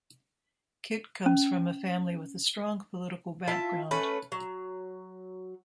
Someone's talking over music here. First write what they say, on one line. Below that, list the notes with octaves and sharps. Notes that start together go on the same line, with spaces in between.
Kitt comes from a family with a strong political background.
C#4
E4 F4 E5 A5
A3 C#4 B4
F#3